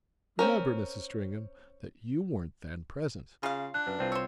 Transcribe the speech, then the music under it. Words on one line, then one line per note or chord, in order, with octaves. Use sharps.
"Remember, Mrs. Stringham, that you weren't then present."
C4 C#4 A#4
C#3 F4 F5
D4 F#6
F#2 B4
C2 C4 F4
C5 C#5 E6